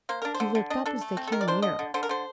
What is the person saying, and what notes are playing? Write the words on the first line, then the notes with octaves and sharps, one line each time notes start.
He looked up as they came near.
A#3 C5
D4 A#4
C5
D3
D3
D4 D#5
D4 A4
A3
C4
A4
D#3 A#4
D5
D4 C5
D3 D#5
D3
D3 C5
A#4
D3 C5